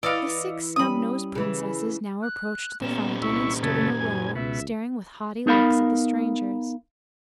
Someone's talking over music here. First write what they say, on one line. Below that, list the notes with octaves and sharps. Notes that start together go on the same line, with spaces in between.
The Six Snubnosed Princesses now approached the fountain and stood in a row, staring with haughty looks at the strangers.
E3 D5 D#5 F5 E6 A#6 C#7
G3 C#4 B5 D#6
C#3 E3
F#6
A#2 B3 C#4 E7
C2 E4 C#6
F#2 C#3 A3 G#6
F#2 G#5
C#2 B2 E5
B3 D#4 A#4 F5 B5